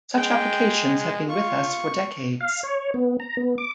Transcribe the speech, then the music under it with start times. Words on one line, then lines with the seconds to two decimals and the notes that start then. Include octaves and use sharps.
Such applications have been with us for decades.
0.17 G#3 G5
1.29 F4 C#6
2.40 F5
2.63 C#5
2.94 B3
3.20 A#5
3.37 B3
3.58 D6